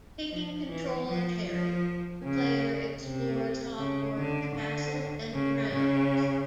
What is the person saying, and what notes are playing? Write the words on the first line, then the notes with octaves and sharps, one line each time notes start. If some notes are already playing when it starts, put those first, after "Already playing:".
Taking control of Harry, the player explores Hogwarts castle and grounds.
F3
E3
F3
F3
C#3
C3
C#3
D3
D3
C#3
C#3